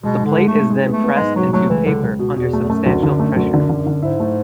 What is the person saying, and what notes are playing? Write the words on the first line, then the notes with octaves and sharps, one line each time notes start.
The plate is then pressed into paper under substantial pressure.
B2 G#3
G#2
D3
G#3
A3
G#2
G#3
B3
A3
B3
G#3
G#2
B2 F#3
F#3 A3
C#2 E3
C#2 D3
C#2
B2
E2 B2
A3
E2
F#2 A3
D2
D3
A3
D2
D3
D3
D3
G#2 E4
A3